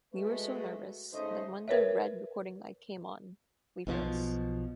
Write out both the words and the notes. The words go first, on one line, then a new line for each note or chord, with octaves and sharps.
We were so nervous that when the red recording light came on we froze.
G#3 A3 F#4 B4
C#3 A3 C#4 D#4 C5 D#5
A#4 B4 C#5 E5
B1 B2 E3 F3